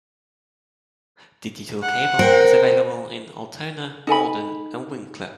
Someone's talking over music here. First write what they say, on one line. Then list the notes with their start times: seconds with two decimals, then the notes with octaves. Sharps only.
Digital cable is available in Altona, Morden, and Winkler.
1.82 F#5
2.19 C4 A#4
4.07 D#4 A4 G#5 B5